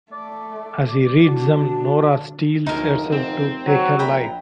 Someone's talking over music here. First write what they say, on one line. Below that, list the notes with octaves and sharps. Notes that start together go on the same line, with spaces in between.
As he reads them, Nora steels herself to take her life.
A3 D5
D4 F#4
F1 D2 D#4 A#4
C4
F#3
A#1 G5 A#5 B5